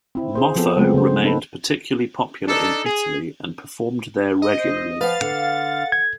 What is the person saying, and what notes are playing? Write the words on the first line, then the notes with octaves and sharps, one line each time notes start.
Moffo remained particularly popular in Italy and performed there regularly.
C4 E4
G#4 C5
F3 B3 C4 A4
C#3 F#3 G#3 A3 B3 C4
C#3 C4 C5
A#3 C4 D#4 A4 B4
D4 D#4 A4
G#4
D#5
C5
F3 B4 F5 F#5 A6
D3 F#5
G#6